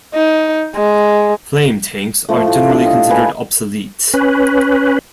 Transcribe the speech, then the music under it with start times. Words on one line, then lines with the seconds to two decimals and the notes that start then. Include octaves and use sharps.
Flame tanks are generally considered obsolete.
0.14 D#4
0.76 G#3
2.29 F3 A3
2.47 A2
2.69 D4 A4 F5
2.84 G4 D#5
3.10 B4 G#5
4.14 C#4 B4